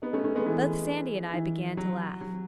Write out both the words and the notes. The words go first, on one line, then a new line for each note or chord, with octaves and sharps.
Both Sandy and I began to laugh.
B3 D#4
A3 C#4
A3 C#4
G#3 B3
E3 G#3
E3
F#3
F#3